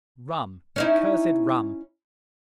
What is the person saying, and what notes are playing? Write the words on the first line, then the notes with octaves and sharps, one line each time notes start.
RUM, accursed RUM!
C#4 D#4 E4